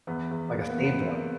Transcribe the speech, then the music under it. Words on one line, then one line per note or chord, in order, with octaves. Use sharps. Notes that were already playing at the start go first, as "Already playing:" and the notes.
Like a saved one.
E2 B3
E2
E2 A#3
B3
E2
B3
E2 A#3 C4